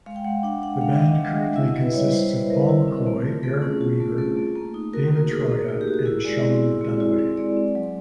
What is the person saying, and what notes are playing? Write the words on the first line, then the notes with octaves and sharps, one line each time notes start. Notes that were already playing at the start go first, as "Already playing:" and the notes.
The band currently consists of Paul McCoy, Eric Weaver, David Troia and Sean Dunaway.
G#3 F5
G5
G#3 F#5
D4 F#5
D4 F#5
G#3 F5
E5
D4
D#5
G#3
G#3
E4 E5
D#5
E4
B4
G3 C#5
G3 C5
G3 B4
G3 A#4
E4
C4
A3
F4
A3 G#4
C#4
F4
A3
A3 A4
A3
A#3
D#4
F#4 A#4
A#3
D#4 G#4
A#3
D#4
G4
F#4
G4
E4 G#4
G#3 D5
C4
E4
G#3
E4
C4
G#3 D5
C4
F#3